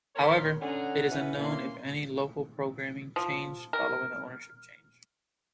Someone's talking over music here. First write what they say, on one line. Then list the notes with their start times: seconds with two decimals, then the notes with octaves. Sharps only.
However, it is unknown if any local programming changed following the ownership change.
0.15 A#4 C#5 B5 C6
0.61 D3 C#4 G#4 F#5 A#5
1.11 E3 C#4 B4
1.40 A#3 C6
3.16 F3
3.73 A#4